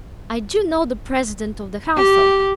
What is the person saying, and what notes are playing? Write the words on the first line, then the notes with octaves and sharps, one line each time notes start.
I DO know the President of the Council.
G4